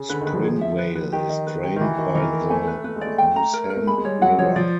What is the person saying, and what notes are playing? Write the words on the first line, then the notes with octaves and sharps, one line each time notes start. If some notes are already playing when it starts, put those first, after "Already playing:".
Springvale is drained by the Mousam River.
Already playing: C#3
D3 B4
D#3
B4
F3
G#4
E5
B4
B4
D#3 G4
D#5
B4
G4
D#3
E3 F#4
D#3 F#4
E3 A#4
A#4
A3 G#5
B4
A3 B4
G#3
D5
A3
G5
A#5
A#4
A#4
A3
G#3 B5
G#3
G3 C#5
F#3 F#5
F3 C#5
F3 D5